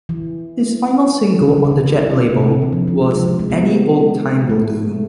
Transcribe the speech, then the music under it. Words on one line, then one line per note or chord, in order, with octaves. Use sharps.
His final single on the Jet label was "Any Old Time Will Do".
E3
D3
E3
D3
E3
D3
E3
D3
E3
D3
C3
C3
D3
E3
F3
F3
G#3
F3
F3
G#3
G#3 B3
A3